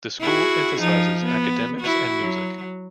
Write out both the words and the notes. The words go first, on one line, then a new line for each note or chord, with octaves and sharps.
The school emphasizes academics and music.
E4 F#4 G#4
F3 D#4
B3
E4 F#4
F#3